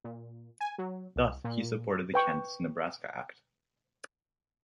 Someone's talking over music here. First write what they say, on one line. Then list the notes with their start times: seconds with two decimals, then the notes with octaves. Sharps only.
Thus, he supported the Kansas-Nebraska Act.
0.04 A#2
0.61 G#5
0.78 F#3
1.16 C2
1.44 A#2
2.14 B4 G5 C#6